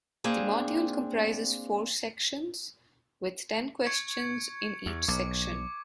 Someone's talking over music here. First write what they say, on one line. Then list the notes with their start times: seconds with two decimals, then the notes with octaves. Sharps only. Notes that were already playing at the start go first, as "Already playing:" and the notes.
The module comprises four sections, with ten questions in each section.
0.24 A#3 C4 D4 G#4
3.86 C#6 G#6 C#7
4.86 E2
5.08 B1 D6